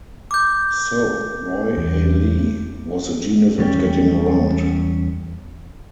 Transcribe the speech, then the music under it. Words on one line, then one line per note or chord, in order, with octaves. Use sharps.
So Roy Halee was a genius at getting around.
D6 G6
E2
E2 B2 G3 C#4 G5